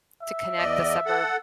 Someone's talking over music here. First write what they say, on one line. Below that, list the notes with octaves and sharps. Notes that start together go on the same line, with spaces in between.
to connect the suburb
E5
E2 D5 D#5
A4 F#5